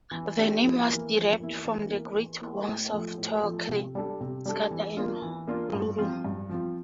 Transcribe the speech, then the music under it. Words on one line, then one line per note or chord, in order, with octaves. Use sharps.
The name was derived from the "Great Worms" of Tolkien: Scatha and Glaurung.
E3
A3 D4 G4
F2
E3 A#3 E4
F2
E3 A#3 E4
E3
A#3 E4
E3
A#3 E4
A2
F3 A3
A2
F3 A3
C3
G3 D4 A4
C3
G3 D4 A4
E3
A#3 D4 F4
E3
A#3 D4 F4
G2
F3 C4 F4
G2
F3 C4 F4